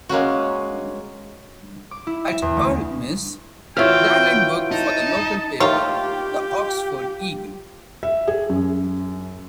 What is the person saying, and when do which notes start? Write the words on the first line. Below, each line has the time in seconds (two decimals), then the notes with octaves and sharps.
At Ole Miss, Dallen worked for the local paper The Oxford Eagle.
0.09 G#3 A#3 C#4 F#4
1.91 D6
2.07 E4
2.27 E5
2.42 E2
2.57 D2
3.77 E3 F4 F#4 C#5 E5 G5 F6
4.72 D#4 A5
5.60 A#3 D#4 F4 G4 C#5
8.03 E5
8.28 G#4
8.50 F#2